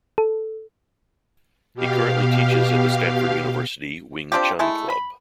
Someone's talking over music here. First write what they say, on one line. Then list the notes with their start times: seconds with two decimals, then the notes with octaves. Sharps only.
He currently teaches at the Stanford University Wing Chun Club.
0.18 A4
1.74 B2 G4 F5
4.32 C4 D4 F4 G4
4.59 G#3 A3 E4
4.90 B5